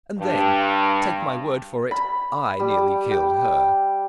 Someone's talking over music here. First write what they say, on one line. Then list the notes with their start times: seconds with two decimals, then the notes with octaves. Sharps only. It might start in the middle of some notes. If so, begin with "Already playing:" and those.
And then, take my word for it, I nearly killed her.
0.18 G2
1.91 B5
2.60 G3
3.11 G5